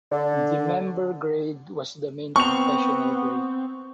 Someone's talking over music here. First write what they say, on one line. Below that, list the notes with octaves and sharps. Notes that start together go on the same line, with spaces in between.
The Member grade was the main professional grade.
D3
B3 C4 C#6 F7